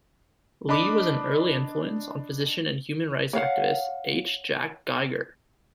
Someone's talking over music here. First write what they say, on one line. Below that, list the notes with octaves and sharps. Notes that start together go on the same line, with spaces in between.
Lee was an early influence on physician and human rights activist H. Jack Geiger.
D4 D#5 B5 D6
C#5 F5 F#5